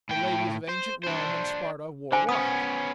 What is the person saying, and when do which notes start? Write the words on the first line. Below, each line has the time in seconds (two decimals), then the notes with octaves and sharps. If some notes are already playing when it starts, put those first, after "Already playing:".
The ladies of ancient Rome and Sparta wore white.
0.09 A2 G5
0.69 C5
1.04 D4 C5
2.12 D3 C5 G#5
2.29 B3 C#4 D#6